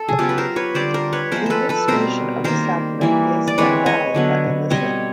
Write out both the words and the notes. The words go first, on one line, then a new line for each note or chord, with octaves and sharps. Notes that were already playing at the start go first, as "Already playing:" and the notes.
The administration of the sacrament is then valid but illicit.
Already playing: A4
G#4
C#3 F#3 B3 F4 G4
B4
A#4 C5
B4 C#5
D3 G3 C4 C5 D5
A#4 C5
B4 C#5
F3 G#3 B3 A#4 C5
A4 B4 C5
A4 B4
B2 G3 C4 A#4 C5
D#3 G3 A#3 A#4 C5
E3 G3 A#3
D5
E3 G#3 C4 B4 C#5
C#5 D#5
D3 F#3 B3
B2 G3 C4 C#5 D#5